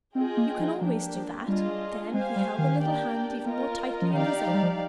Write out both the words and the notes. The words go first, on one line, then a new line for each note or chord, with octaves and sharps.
"You can always do that." Then he held the little hand even more tightly in his own.
C4 F4 G#4 D#5 G5
A#3
F3
F3 A#3 D4 G4
F3
G3 D4 F4 G#4 D#5
G#3 G4 C5 F5 G#5
G3
D#3
A#3 D4 G4 D5 G5
F4 A#4 D#5
F3
D#3 D#4 G4 D5 F5
F3
G3
F3